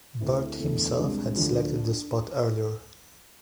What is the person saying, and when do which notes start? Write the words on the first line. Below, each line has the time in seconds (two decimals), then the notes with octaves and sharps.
Butt himself had selected the spot earlier.
0.21 D2 D3 A3 C4 E4
0.59 E2 D3 A3
0.99 C2 C3 G#3 D4 G#4
1.37 D2 D3 F3
1.76 D4